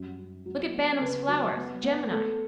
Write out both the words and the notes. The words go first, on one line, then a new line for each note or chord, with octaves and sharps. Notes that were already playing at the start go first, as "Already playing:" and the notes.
Look at Bantam's flowers. Gemini.
Already playing: F#2 G3
F#2
F#3
B3
C#3 B4
F#3
B3
B3
A3 A4